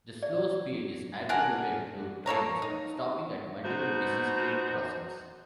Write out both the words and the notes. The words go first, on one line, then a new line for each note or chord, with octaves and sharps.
The slow speed is attributed to trains stopping at multiple busy street crossings.
D5
D4 A#4 F#5 G#5
A#3 A4 C#5 A#5
D#4
B2 D#4 F#4 C5